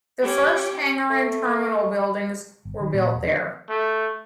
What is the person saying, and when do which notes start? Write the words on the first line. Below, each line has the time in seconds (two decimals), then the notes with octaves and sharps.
The first hangar and terminal buildings were built there.
0.21 C#4 G4
1.10 A3
2.65 G1
2.80 D#3
2.94 A#2
3.14 E1
3.27 D4
3.70 A3